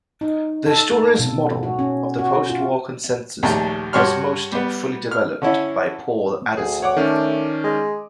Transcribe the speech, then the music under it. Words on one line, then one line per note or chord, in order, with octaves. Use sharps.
The historians' model of the post-war consensus was most fully developed by Paul Addison.
D#4
A4
A#3
B2
F#4
C#4
F#4
F4
A#1 D#2 A3 A#5
G2 F#4 G4 C#5 C6 F6
G3 B3
F6
D3 C#4 E4
D2 G#4
C#5 F#5 D6
D#3 A3 C#4 D4
G#3